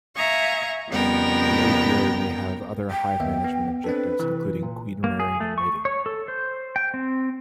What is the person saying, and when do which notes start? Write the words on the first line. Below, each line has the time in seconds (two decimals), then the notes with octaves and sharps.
An apiary may have other hive management objectives including queen rearing and mating.
0.17 E5 F5 G#5 A#5 C#6
0.89 F2 C#3 G3 B3 A#4 G5
2.91 G5
3.20 D#2 B3 E5
3.44 B3
3.84 C4 D4 A4 B4
4.19 C3 E3
4.63 A#2
5.04 A#3
5.20 G#4
5.40 A3
5.58 C#6
5.85 C#5
6.06 A4
6.28 C5
6.76 G5
6.94 C4